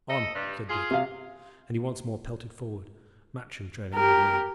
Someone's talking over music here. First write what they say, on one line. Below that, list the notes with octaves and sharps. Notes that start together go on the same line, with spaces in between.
"On!" said Dick; and he once more pelted forward, Matcham trailing in the rear.
A4 D#5
G2
F4 G#4
C3 F5
G4 A#4